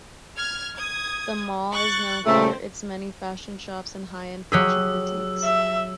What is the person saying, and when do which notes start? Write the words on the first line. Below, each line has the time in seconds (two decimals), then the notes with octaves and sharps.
The mall is known for its many fashion shops and high-end fashion boutiques.
0.37 F6 G#6
0.77 D#6 G#6
1.71 C#6 F#6 A6
2.25 A#2 C#3 A3 C4
4.52 F#3 G4 G#4 E6
5.44 E5